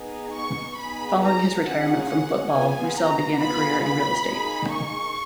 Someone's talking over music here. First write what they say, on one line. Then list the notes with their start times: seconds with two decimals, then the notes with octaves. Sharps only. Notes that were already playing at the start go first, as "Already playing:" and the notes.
Following his retirement from football, Roussel began a career in real estate.
Already playing: B3 D#4 G#4
0.34 C#6
0.78 B3 D#4 G#4 B5
1.21 A#5
1.64 A#3 C#4 F4 G#4 F#5
2.09 F#5
2.52 B3 F4 G#4 G#5
2.95 A#5
3.39 B3 F4 G#4 B5
3.83 B5
4.26 A#3 D#4 G#4
4.70 C#6